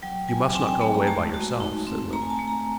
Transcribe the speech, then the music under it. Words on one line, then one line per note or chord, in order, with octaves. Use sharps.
"You must not go away by yourself," said Lily.
F#3 G5
F#3 G#5
C4 G#5
G5
A3 A5
A#5
G#3 A5
F#4
D#4
C4
A3 A#5
G#5
A5
A3
A#5